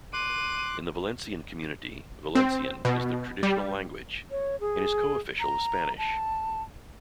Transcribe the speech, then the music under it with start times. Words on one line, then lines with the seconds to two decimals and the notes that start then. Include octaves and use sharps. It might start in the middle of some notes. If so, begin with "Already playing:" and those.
In the Valencian Community, Valencian is the traditional language and is co-official with Spanish.
0.13 C6 D6 F#6 D#7
2.35 C4
2.85 B2
3.43 G3
4.31 C#5
4.60 G#4
5.40 A#5
5.98 A5